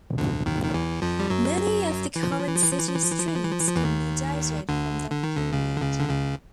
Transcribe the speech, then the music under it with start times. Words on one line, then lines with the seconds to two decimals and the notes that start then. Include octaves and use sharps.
Many of the current city streets can be dated from that period.
0.18 D2 D3
0.46 D#2 D#3
0.64 D#3
0.74 E2 E3
1.02 F2 F3
1.19 G3
1.30 F#2 F#3
2.15 E3
2.23 F3
2.31 E3
2.39 F3
2.47 E3
2.56 F3
2.63 E3
2.71 F3
2.79 E3
2.88 F3
2.95 E3
3.04 F3
3.12 E3
3.19 F3
3.27 E3
3.36 F3
3.44 E3
3.51 F3
3.60 E3
3.68 F3
3.76 E2 E3
3.84 D#2 D#3
4.69 D2 D3
5.11 D3
5.24 D#3
5.36 D2 D3
5.53 C#2 C#3
5.77 D3
5.81 C#2 C#3
5.99 D3
6.09 C#2 C#3